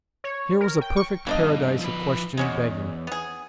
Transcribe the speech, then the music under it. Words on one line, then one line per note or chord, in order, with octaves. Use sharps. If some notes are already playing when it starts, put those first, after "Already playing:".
Here was a perfect paradise of question begging.
C#5
A#4
G5
C#6
G2 B2 A#3 D4 D#5
F3 B4
E2 G#3 C#4 F#4
B3 G#4